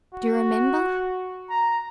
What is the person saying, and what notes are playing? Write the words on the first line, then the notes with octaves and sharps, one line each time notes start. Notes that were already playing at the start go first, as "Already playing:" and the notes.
"Do you remember?"
F#4
A#5